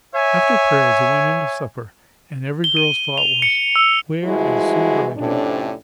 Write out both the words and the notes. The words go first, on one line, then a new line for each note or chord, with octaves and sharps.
After prayers they went in to supper, and every girl's thought was, Where is Sue Bridehead?
C#5 E5 G#5
G7
D#7
F7
C#7
E6
E3 F3 G3 G#3 E4 F#4
F2 A2 C3 C#4 D4